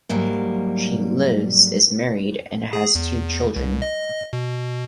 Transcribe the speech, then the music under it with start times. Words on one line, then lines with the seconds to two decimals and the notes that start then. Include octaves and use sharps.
She lives is married and has two children.
0.09 G#2 F#3 G3 A#3
2.73 G#4
2.95 E2
3.56 C2
3.82 D#5
4.33 B2